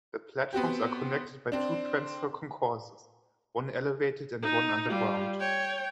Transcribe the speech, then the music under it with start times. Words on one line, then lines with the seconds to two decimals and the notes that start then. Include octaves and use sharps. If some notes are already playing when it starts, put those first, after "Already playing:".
The platforms are connected by two transfer concourses, one elevated and one underground.
0.53 B3 C4 F#4 G4
1.52 C4 D4
4.42 D#4
4.89 G3 F4
5.40 C#5 G5